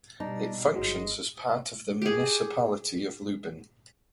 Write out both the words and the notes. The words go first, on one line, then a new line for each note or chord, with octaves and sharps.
It functions as part of the Municipality of Lubin.
B2 G3 D4 D#4
G1 G#2 F#3 G#3
G4 G#4